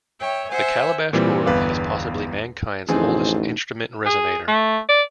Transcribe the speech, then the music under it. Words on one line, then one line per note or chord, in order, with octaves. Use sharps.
The calabash gourd is possibly mankind's oldest instrument resonator.
C#5 E5 G5
C5 E5 F#5 G#5
A#2 E3 G3 C4
G1 E2 B4 F5 D6
A1 F2 A2 D3 E3 C4 D#4 G#4
G#4
A3
D5